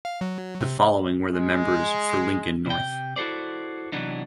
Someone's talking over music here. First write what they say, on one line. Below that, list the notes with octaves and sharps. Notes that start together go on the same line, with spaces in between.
The following were the members for Lincoln North.
F5
F#3
C3
G#3
C3 G5
E4 F#4 A4 C5 D5
C3 E3 F#3 B3 D4 D#4